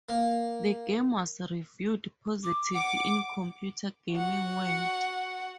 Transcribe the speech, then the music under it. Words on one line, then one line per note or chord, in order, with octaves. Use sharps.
The game was reviewed positively in "Computer Gaming World".
A#3
D6
F#5 D6
F#4 F#5